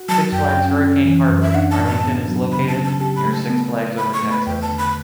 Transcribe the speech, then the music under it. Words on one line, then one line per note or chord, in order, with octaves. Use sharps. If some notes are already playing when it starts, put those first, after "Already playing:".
Six Flags Hurricane Harbor, Arlington is located near Six Flags Over Texas.
Already playing: F#4
F#3 A5
F#2 G5
C#4
C#4
E3
F#2
E5
D4 F#5
A5
A2
A5
B3
F#3
C#3 B5
A5
C#3
A5
G4 A5
B5
A3
A5
B3
B3
B4 B5
C#6
A3
B5
E2 G5
A5
D3
B5